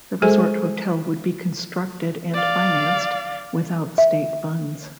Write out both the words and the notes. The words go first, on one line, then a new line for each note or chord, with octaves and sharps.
The resort hotel would be constructed and financed without state funds.
G#3 G#4 A4 C5 G#5
D5 F5
E5